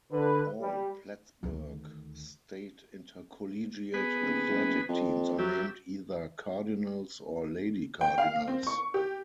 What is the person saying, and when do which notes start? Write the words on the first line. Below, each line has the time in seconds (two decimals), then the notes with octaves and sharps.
All Plattsburgh State intercollegiate athletic teams are named either Cardinals or Lady Cardinals.
0.12 D3 B4
0.60 G3
1.43 D2 D#3
3.94 B3 G#4 B4
4.20 D#1
4.48 F#1
4.88 F2
5.39 F#3 G3 G4 E5
8.01 G5
8.18 F5
8.48 C4
8.67 C#6
8.94 G4